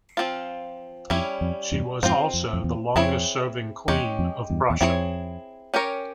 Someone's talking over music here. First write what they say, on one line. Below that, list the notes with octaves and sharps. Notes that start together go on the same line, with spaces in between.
She was also the longest-serving queen of Prussia.
F3 C4 F4
F2 G3 C#4 E4
F2
E2 G2
F2 G#2 C4 F4 C5
F2
F2
E2
F2 C4 E4 G#4 C#5
E2 G#3 C#4 G4 C#5
F2
E2 G2
E2
F2 C4 E4 G#4 C#5
C#4 G4 A#4 C#5